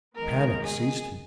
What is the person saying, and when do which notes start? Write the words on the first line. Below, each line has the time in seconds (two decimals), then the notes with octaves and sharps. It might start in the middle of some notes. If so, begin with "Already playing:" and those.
Panic seized him.
0.15 D#3 G#3 B3 A#4
0.62 G#4